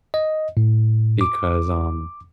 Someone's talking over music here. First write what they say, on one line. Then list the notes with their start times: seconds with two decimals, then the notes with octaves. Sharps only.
because, um,
0.14 D#5
0.57 A2
1.21 D6